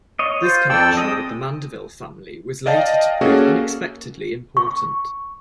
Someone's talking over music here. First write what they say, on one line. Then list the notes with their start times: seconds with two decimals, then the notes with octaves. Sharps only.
This connection with the Mandeville family was later to prove unexpectedly important.
0.19 C#5 D#5
0.42 F4 C5
0.70 F2 A4 D5 G5 E6
0.97 G#3 C4 D#5 D#6
2.66 D5 D#5 F5 G5 A5
3.21 A#3 C#4 F#4 G#4 A4
4.57 C#6